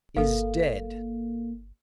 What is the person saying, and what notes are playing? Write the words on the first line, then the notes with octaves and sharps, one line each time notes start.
"Is dead."
G1 A#3 A4 F5